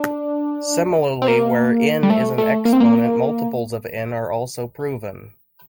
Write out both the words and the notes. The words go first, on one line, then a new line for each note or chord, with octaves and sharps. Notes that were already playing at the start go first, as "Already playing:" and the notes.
Similarly, where "n" is an exponent, multiples of "n" are also proven.
Already playing: D4
C4
A#3
G3
A3
A3
A#3
C4
A#3